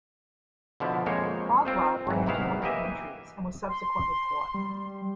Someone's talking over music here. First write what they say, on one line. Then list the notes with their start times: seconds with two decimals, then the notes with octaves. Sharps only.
Bogrov ran to one of the entries and was subsequently caught.
0.80 B2 D3 F3 E4
1.06 F2 G#3 A#3 C5 C#5
1.65 C4 F4 C5
2.07 G#1 E3
2.26 C3 D#3 B3 E4 F5
2.62 E3 A#3 G4 A#4 D#5 E5
3.69 C6
4.54 G3